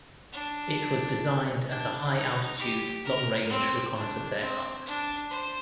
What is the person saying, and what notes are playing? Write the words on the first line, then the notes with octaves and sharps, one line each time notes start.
It was designed as a high altitude long-range reconnaissance aircraft.
D4
D4
D#4
G4
A#4
C4
D4
C4
D4
C5